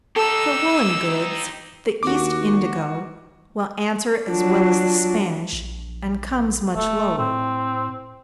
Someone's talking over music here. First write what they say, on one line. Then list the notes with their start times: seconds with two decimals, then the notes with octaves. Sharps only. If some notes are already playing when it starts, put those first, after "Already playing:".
For woollen goods, the East indigo will answer as well as the Spanish, and comes much lower.
0.16 D#4 G4 A4 E6
2.03 D#2 F#4 D6
4.28 F#3 D4 F4
5.53 A#1
6.76 D1 A3
7.18 A2 C4